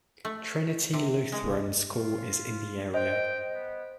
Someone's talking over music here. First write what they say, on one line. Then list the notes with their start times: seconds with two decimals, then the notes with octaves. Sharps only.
Trinity Lutheran School is in the area.
0.25 A3
0.93 C3
1.32 G#3
1.89 F4
2.94 C5 D#5 G5
3.52 B3